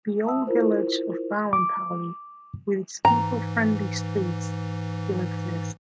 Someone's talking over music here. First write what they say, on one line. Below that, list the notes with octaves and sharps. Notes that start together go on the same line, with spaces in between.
The old village of Bowenpally with its people-friendly streets still exist.
E5 A5 D#6 E6
E4 F4 A#4 C5
D6
G#2 E3 A#5